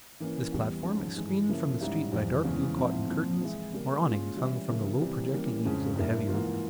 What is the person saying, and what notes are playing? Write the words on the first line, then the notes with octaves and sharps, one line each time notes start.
This platform is screened from the street by dark blue cotton curtains or awnings hung from the low projecting eaves of the heavy roof.
E3 A#3 C#4
E2 E3 G3
G#2 F3 G#3 C#4
G2 E3 G#3
C#3 F3 A#3 C#4 E4
G#2 G3 C#4 E4
F2 C3 E3 G3
E2 C#3 E3 G#3
G#2 F3 C4 E4
A#2 F3 C4
E3 G#3 E4
C#3 G3 A#3
A#2 G#3 C#4 F4
E3 G3 C#4 E4
C#3 F3 A#3 E4
C3 E3 G3
E3 G3 A#3 C#4
F2 C#3 F3 G#3 C#4
G2 G3 A#3 E4
G#2 E3 A#3 F4